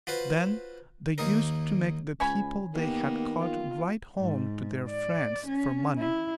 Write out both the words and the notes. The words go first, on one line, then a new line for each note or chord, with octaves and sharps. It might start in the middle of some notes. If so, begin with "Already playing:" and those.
Then they used to make the people they had caught write home to their friends for money.
F4 F#4 B4 C5
D#2 A#3 D#4 A#4
C#2 C#4 G#5 B5
D#3 A#3 B3 G4
F4
G#2
D5
C#4
E4